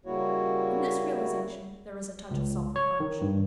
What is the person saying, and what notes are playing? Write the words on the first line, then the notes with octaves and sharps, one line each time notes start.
In this realization there was a touch of self-reproach.
C#3 G3 A#3 E4 F#4 C#5
C#2
C#5
D#3
G2